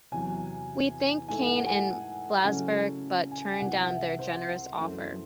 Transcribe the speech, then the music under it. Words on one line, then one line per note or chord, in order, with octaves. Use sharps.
We thanked Kane and Blasberg but turned down their generous offer.
E2 C3 F#3 G#5
G#2 E3 A3 G#5
F#5
G#5
C#3 F#3 A3 C#4 E4
G#5
G#5
C2 C3 E3 F#5
E5
C5
F#2 E3 A3